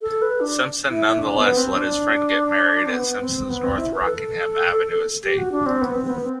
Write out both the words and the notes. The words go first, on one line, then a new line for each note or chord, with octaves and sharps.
Simpson nonetheless let his friend get married at Simpson's North Rockingham Avenue estate.
A4
B4
D4
E4
D4
B3
C4
D4
C4
B3
C4
B3
C4
E4
B4
A4
G4
F#4
D4
C4
B3
C4
B3
C4